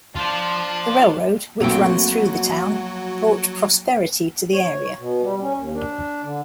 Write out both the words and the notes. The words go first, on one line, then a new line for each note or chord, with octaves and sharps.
The railroad, which runs through the town, brought prosperity to the area.
D4 F4 C5
B1 F#3 A3 A#3 C4 F#4 G5
C#5
B2
G3
C#4
D#2
D4
D3